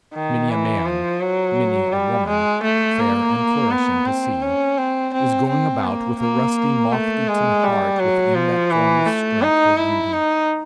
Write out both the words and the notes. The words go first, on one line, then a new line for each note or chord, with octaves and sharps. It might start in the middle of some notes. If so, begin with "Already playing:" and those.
Many a man, many a woman, fair and flourishing to see, is going about with a rusty moth-eaten heart within that form of strength or beauty.
D#3
E3
F3
F#3
G3
G#3
A3
A#3
B3
C4
C#4
C4
C4
C4
A#3
A#3
A3
G#3
G3
F#3
F3
E3
A3
D#4
E4
D#4